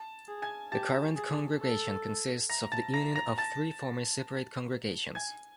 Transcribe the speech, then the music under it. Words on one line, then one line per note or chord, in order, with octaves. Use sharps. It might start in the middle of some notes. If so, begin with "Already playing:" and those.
The current congregation consists of the union of three former separate congregations.
Already playing: A5
G#4
G#5 G#6
G4 A5 A6
G#4
A4
A#5 A#6
A5 A6
A#5 A#6
A#5 A#6
A5 A6
G#5 G#6